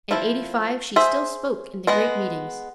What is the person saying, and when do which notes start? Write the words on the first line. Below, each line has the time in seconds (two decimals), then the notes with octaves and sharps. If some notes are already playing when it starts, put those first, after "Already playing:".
At eighty-five she still spoke in the great meetings.
0.11 F3 E4
0.96 G#4 C5 E5
1.87 G#3 B3 D#5